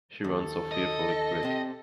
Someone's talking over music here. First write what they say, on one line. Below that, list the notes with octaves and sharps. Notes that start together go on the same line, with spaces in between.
She runs so fearfully quick.
D#2 A4
D#5
C3 C4